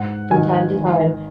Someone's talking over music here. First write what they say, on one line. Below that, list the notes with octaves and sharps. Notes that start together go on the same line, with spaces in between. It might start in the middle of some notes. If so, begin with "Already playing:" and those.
from time to time,
Already playing: G#2 F#5
D#3 G#5
G#1